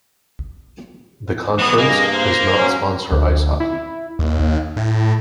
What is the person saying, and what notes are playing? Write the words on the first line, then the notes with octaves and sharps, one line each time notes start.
The conference does not sponsor ice hockey.
E3 F#3 B3 D#6 F#6
G2 A#3 G#4 D#5
C5 F5
F#3 C#4
D2
E4
D#2
A2